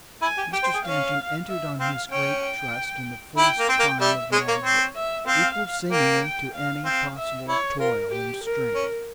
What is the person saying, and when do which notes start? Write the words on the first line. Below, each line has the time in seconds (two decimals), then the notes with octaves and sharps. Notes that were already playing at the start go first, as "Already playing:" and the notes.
Mr. Stanton entered on his great trust in the fullest prime of manhood, equal, seemingly, to any possible toil and strain.
0.22 E4 G#5
0.38 G4
0.53 G4 G5
0.64 C5
0.74 G#4
0.85 C#4 F5
1.48 E5
1.79 C4 F5
2.11 C#4 G5
2.43 G5
3.37 E4 G5
3.59 A#3
3.69 C4 G5
3.79 A#3
4.01 G3 E5
4.32 G#3 C#5
4.48 A#3
4.64 C4
4.96 E5
5.27 C4 F5
5.90 A#3 G5
6.22 G5
6.53 F5
6.85 C4 F5
7.17 E5
7.48 E4 C#5
7.80 F4 A#4
8.11 G4
8.43 A#4
8.75 C#4